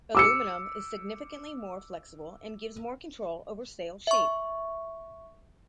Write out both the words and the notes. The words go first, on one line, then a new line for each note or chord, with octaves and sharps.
Aluminum is significantly more flexible and gives more control over sail shape.
D6 E6 C#7
E5 C#6